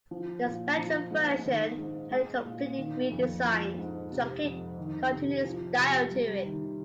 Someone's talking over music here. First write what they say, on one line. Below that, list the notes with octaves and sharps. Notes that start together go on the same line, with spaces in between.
The Spectrum version had a completely redesigned, chunky, cartoony style to it.
F3
A#2
F3
G#2
D#3
G#2
G#3
A#2
D#3
F2
F3
G#2
C3
F2
D#3
C3
F3
C3
G3
D#3